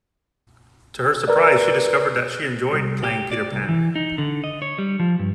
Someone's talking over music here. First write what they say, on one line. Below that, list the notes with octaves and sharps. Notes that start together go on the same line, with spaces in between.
To her surprise, she discovered that she enjoyed playing Peter Pan.
A#4 B4 D5
C2
G4
D5
C2
E3
D#4
D3
D#5
C#5
G3
F3
G2